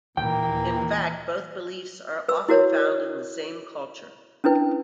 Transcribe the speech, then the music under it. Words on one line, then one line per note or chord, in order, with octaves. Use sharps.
In fact both beliefs are often found in the same culture.
D#2 A#2 E3 A#3 G5
B4 E6
E4 F#4 A#4 C#5
C#4 D4 E4 B4